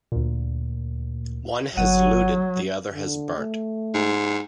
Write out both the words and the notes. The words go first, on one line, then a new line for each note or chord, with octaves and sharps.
One has looted, the other has burnt.
D2 A#2
G1 F#3 F#5 D#7
D3
A3
G#2